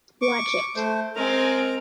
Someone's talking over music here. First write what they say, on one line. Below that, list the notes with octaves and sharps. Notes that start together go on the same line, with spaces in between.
Watch it.
C#6 D6
A3 C5
G#3 C4 A#4 A#5